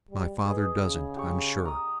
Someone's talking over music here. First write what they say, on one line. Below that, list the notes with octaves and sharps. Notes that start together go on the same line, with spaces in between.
My father doesn't, I'm sure.
G3
G#4 B4 D#5
C#3
G4 C#6
A#5 D#6